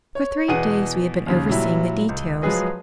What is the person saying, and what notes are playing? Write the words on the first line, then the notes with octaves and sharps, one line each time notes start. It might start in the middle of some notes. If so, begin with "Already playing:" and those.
For three days we had been overseeing the details.
C#5
E2 B2 G#4 F#5 D#7
D#2 C#3
A#2 F#3 G3 E4
C#2
F3 F#3 G#3 G#4 B4 D#5